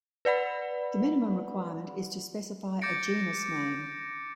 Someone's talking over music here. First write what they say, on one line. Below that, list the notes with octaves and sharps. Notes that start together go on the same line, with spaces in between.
The minimum requirement is to specify a genus name.
B4 D5 F#5 B5
D6 G6 A6 A#6 C#7 D7